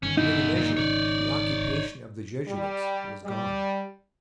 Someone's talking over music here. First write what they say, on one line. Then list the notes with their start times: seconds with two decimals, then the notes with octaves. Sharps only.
In a measure, the occupation of the Jesuits was gone.
0.03 G1 D#3 C#4
0.17 B2 D#4 E4
0.56 A#2
0.77 G#1 C#3 C#5 D5
2.47 G3
3.23 G3